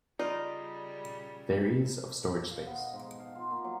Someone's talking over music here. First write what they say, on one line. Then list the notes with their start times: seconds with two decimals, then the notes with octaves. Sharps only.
There is of storage space.
0.19 C#3 G3 D#4 F4 D5
2.37 G5
2.51 F5
2.66 B3
2.80 D#5
2.93 G#2
3.06 A4
3.20 F5
3.35 F4
3.51 A#3
3.64 F#3